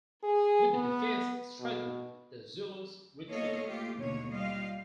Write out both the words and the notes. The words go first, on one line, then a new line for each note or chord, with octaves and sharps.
With the defense strengthened, the Zulus retreated.
G#4
B3
B2
A#3 B3 F4 A4 C#5 D#5
A3 A#3 F4 G4
D#2 B2 D3 A3 A#3 C#5
G3 F4 D#5 F5